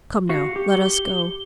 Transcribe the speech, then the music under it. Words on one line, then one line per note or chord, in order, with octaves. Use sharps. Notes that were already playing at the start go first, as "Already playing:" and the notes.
"Come now, let us go."
F#4 F5 C#7
G4
G7